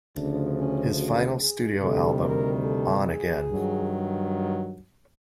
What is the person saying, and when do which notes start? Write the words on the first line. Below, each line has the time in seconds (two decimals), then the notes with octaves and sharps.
His final studio album, On Again!
0.16 D2 C#3 F3 D4
0.58 C#4
0.99 F#4
1.41 G#4
1.82 D2 C3 D#3 G3 A4
2.23 A#4
2.65 A4
3.07 G#4
3.48 G2 D#3 F#3